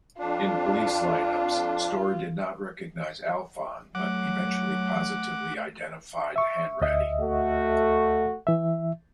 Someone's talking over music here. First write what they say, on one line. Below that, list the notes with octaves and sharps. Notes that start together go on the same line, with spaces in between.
In police line-ups, Storie did not recognise Alphon, but eventually positively identified Hanratty.
F2 D4 F4
F#3 A3 F#5 D6
E5 C#6
D2 D#5 E5
A3 F#4
E3 E5